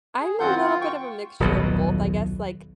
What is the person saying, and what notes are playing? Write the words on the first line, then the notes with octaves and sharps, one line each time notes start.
I'm a little bit of a mixture of both, I guess, like,
G#4
F#2 D#3 C4 F4 F#5 G6
F4
G5 C#6
D#1 B1 B2